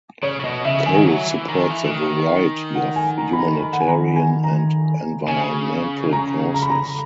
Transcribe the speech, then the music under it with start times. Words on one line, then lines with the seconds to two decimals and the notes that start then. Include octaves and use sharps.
Cole supports a variety of humanitarian and environmental causes.
0.23 C#3 C#5
0.40 C#3
0.43 B2 D#5
0.65 C#3 E5
0.86 D#3 G#5
1.06 F#3
1.28 E3
1.49 D#3
1.70 E3
1.85 E3
1.91 D#3
2.75 F#5
2.96 G#5
3.18 A#5
3.33 B5
3.39 A#5
3.60 B5
3.73 F#5
3.81 G#5
3.88 A#5
4.16 G#5
4.44 A#5
5.28 C#3 G#5
6.13 A#5
6.54 A#5
6.62 B5
6.70 A#5